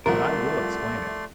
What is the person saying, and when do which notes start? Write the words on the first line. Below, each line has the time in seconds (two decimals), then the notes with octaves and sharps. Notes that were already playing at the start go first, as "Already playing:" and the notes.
But I will explain it.
0.06 C2 F3 A3 A#4 D5 F#5 C6